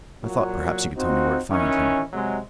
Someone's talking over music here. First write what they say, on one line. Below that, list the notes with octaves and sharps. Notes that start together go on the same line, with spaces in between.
I thought, perhaps, you could tell me where to find him.
A#2 F#3
C4 D#4 F4 F#4
D#3 E3 C#4
C3 F#3 G#3